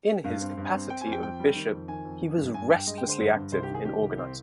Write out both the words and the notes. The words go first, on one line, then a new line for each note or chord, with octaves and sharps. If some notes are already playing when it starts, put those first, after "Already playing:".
In his capacity of bishop he was restlessly active in organising.
G2 F5
C4
G2
C4
C4 G5
G#5
F2
G5
C4 G5
G3
D#3
F2
D#3 G#5
F2
D#3
G2
G2 G#5
G2 G5
G#3 D#5
G5
D3
C5
G2
G2
C2 C5
G4
D#3
G#4
D#3 G4
C2
C4